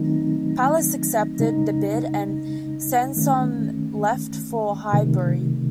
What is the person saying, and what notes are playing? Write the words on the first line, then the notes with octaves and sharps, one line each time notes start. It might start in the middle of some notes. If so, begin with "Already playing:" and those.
Palace accepted the bid and Sansom left for Highbury.
Already playing: D#3 F#3 A3 C4 D#4
C#3 G#3 D#4
D#3 A3 C#4
C3 D#3 A3